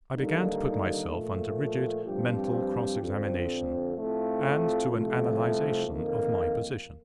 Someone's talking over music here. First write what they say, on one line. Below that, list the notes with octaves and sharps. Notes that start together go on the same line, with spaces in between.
I began to put myself under rigid mental cross-examination, and to an analyzation of my position.
D#2 D3 G3 A#3 D#4
A#2 F3 A3
G2 F3 C4 G4
F2 D3 F3 C4
A2 A3 C4 F4
C2 C3 F3 A3
F2 D#3 A#3